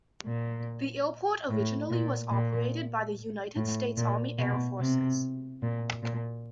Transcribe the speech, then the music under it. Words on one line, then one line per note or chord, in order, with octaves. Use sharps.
The airport originally was operated by the United States Army Air Forces.
A#2
A2
A#2
A#2
A2
A#2
B2
C3
A#2
A#2